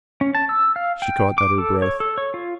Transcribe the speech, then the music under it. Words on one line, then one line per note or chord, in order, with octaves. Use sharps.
She caught at her breath.
C#4
A5
E6
F5
G5
D6
A4
C#5
A4
C#5
F4